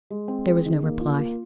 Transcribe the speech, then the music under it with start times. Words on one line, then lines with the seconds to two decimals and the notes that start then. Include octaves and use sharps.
There was no reply.
0.10 G#3
0.28 C4
0.47 G#4
0.65 D#3
0.83 A#3
1.01 F4
1.18 A#3